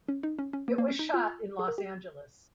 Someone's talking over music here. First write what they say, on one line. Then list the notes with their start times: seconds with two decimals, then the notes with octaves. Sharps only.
It was shot in Los Angeles.
0.08 C#4
0.23 D#4
0.39 C#4
0.53 C#4
0.68 A#3
0.78 A#3
0.88 C#4
0.99 D#4
1.14 F4
1.59 G#4
1.68 A#4
1.78 G4